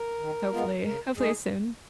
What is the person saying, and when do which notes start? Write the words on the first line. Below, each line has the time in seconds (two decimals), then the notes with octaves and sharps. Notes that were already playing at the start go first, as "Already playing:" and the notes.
hopefully, hopefully soon.
Already playing: A#4
0.20 D#3
0.52 G#3 B3 F4
0.85 C#3 A#4
1.17 G#3 D#4 G#4